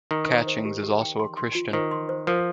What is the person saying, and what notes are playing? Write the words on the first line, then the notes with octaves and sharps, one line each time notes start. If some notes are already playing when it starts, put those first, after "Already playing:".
Catchings is also a Christian.
D#3 A#5
C5
C5
G4
G4
G5
C6
C6
F4
D#3 C5
C6
C5
F3 A#4